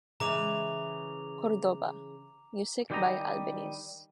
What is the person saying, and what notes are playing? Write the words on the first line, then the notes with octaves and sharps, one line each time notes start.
Cordoba, music by Albeniz.
C#3 E3 G#3 A#5 D6 F7
D#3 G3 G4 C5 D#5 A#5